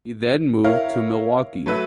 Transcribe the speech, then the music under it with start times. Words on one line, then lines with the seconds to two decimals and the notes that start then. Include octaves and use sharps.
He then moved to Milwaukee.
0.64 E4 A#4 C#5 F5
1.66 F#3 A3 B4 E5